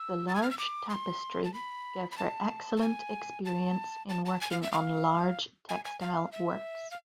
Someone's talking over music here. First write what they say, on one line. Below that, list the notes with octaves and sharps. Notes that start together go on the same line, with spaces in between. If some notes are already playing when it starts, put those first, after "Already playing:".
The large tapestry gave her excellent experience in working on large textile works.
Already playing: E6
A6
G#6
F6
E6
D6
C6
A5
B5
B5
A5
A5
G#5
A5
A5
A5
G#5
F5
E5
F5
G#5
G#5
F5
E5
F5